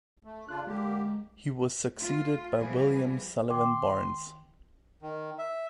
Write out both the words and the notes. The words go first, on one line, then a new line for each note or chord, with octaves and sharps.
He was succeeded by William Sullivan Barnes.
A3
C#3 D4 F4 F#6
D3 G#3 A#3 G4
A3 F4
E3 F3 G3 B3 G#4
D#3 G5 C6 D6
D#3
E5